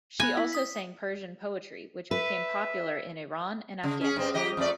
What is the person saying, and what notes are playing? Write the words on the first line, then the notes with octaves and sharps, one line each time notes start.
She also sang Persian poetry, which became popular in Iran and Afghanistan.
B3 G#5 B5 A#6
E4
D#6 B6
B4 E5
C#3
C#4 G#4
G2 C4
F3 G4 D#5
F2 A3 D5